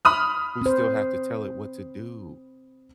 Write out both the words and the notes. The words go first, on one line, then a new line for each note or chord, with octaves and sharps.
who still have to tell it what to do.
B5 D#6 F6
C4 C5